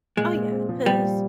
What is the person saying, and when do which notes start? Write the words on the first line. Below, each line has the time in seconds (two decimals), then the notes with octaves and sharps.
Oh, yeah, 'cause
0.17 A#2 G#3
0.34 A#2
0.52 C4
0.69 F3
0.86 A#2 G3
1.03 A#2